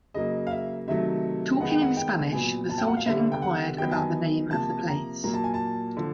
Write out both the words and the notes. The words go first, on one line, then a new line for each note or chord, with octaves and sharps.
Talking in Spanish, the soldier inquired about the name of the place.
C#3 F#3 A#3 D#5
F5
E5
C3 D#3 F#3 A3 E5
D#3 G#3 B3 F#5
G5
F#5
G5
A#2 F#3 B3 G#5
A5
G5
F#5
F5
D3 G3 B3 E5
G5
F#5
D#3 F#3 B3 G5
A5
G#5
C3 F3 A#3 A5
A#5
A#2 F#3 A#3 A#5
A5
G#5
A5
D3 F3